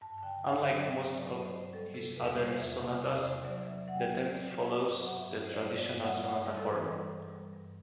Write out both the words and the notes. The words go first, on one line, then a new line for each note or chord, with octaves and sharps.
Unlike most of his other sonatas, the tenth follows the traditional sonata form.
G2 A5
A5
D3 G5
D3 F#5
F#3 E5
G2 E5
F#3
D5
F#3
C5
G2
G3 A4
C3 A4
E2 B4
G3 C5
E2 E5
C3
D5
E2
C5
E2
F#3 D5
F#3 E5
F#3 F#5
G5
F#5
F#3 E5
F#3 D5
F#3
B4
G2
C5
F#3
F#5
G2 E5
G2
C5
D5
G3 C5
D5
G2
G3 F#5
G2 F#5
G3 D5
A4
E3 B4
G3
G2
G3
G2